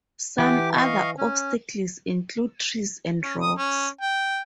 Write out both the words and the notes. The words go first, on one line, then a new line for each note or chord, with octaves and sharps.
Some other obstacles include trees and rocks.
E3 G4 F#5 G5 D6
D#5 F5 C#6
C#4
C#4
D#6
C#4
G5